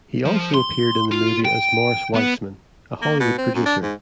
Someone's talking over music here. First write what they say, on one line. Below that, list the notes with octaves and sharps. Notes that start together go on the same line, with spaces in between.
He also appeared in the movie as Morris Weissman, a Hollywood producer.
F3
C6
F4
G5
B3
A#3
B2
C4
F#2
D4
G#2